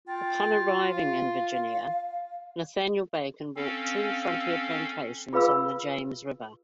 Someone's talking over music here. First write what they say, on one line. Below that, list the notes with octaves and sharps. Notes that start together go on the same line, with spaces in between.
Upon arriving in Virginia, Nathaniel Bacon bought two frontier plantations on the James River.
F4 G5
F5
C4 C#4 A4 F5
F4 G#4 B4 F5 B5 E6